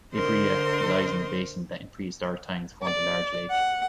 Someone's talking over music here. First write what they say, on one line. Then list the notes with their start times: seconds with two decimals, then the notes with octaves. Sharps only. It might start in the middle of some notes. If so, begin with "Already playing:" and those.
Ivrea lies in a basin that in prehistoric times formed a large lake.
0.14 D3 A#4 C5 D#5 C6
2.83 D5
3.50 F#5